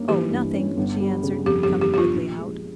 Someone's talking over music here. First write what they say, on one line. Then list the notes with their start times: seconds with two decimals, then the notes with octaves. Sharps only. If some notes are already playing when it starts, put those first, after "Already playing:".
"Oh, nothing," she answered, coming quickly out.
Already playing: G2 A#3 C#4
0.09 E3 G4
0.31 G2
0.54 C#4
0.77 G1
1.00 G3
1.23 C#3
1.46 F2 G4
1.63 G4
1.69 G1
1.81 G4
1.92 G3 G4
1.98 F4
2.15 A#1
2.39 G#3